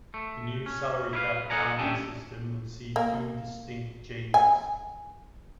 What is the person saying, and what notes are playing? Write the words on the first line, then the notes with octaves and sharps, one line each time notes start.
The new salary cap accounting system would see two distinct changes.
A3
C#4
E4 B4 F5
A4 C5 D#5 F#5 G#5 A#5
C#4 D4 G4 E5 G#5 A5
A#3
G#5